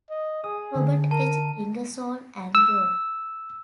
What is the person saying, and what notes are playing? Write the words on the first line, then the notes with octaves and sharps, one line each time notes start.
Robert H. Ingersoll and Bro.
D#5
G#4 D#6
D3
A#4 A5
E6